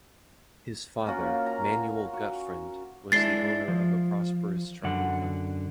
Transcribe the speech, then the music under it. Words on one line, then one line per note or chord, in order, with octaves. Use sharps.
His father, Manuel Gutfreund, was the owner of a prosperous trucking company.
A#3 C#4 F4 F#4
A#5
F#4
G#3 D4 E4 A6 C7 G7
F3
F#2 D3 F#5